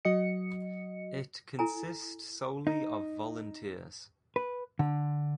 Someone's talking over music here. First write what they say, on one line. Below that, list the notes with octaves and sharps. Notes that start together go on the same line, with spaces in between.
It consist solely of volunteers.
F#3 F#4 D#5 C#7
E4 A4 G#5 A#5
D#4
B4
D3